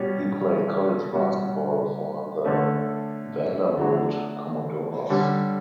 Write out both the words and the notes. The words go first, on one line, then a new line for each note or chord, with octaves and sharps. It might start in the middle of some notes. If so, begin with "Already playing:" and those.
He played college basketball for the Vanderbilt Commodores.
Already playing: B2 G3 C#4
B2 G3 C#4 F#4
D3 A3 C#4
D3 F#3 A3 D4 F#4
D3 G3 C#4